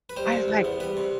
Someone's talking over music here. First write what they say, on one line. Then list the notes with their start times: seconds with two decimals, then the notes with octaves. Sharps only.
I was like
0.10 B4
0.17 G3 C5
0.32 C3
0.48 E2
0.64 B3
0.80 G3 B4
0.97 C3